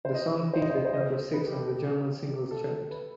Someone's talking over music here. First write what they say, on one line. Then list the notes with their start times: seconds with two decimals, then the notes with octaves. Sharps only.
The song peaked at number six on the German Singles Chart.
0.05 C5
0.14 D#5
0.53 C5
0.62 D#5
0.70 C5
0.77 D#5
0.85 C5
0.93 D#5
1.01 C5
1.33 B4
1.46 G4
1.52 A4
1.72 G4
2.51 A4
2.91 B4